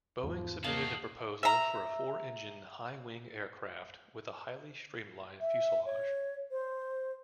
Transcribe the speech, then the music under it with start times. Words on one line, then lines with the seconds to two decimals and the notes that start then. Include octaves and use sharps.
Boeing submitted a proposal for a four-engine, high-wing aircraft with a highly streamlined fuselage.
0.23 E2 G#2 F3
0.64 D#3 A#3 F#4 D#5 F5 A5
1.43 E5 A#5
5.41 E5
5.85 C#5
6.51 C5